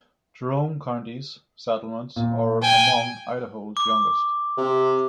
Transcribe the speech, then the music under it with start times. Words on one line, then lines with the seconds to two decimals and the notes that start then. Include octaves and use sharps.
Jerome county's settlements are among Idaho's youngest.
2.16 A#2
2.62 G5 G#5
3.77 D6
4.57 C3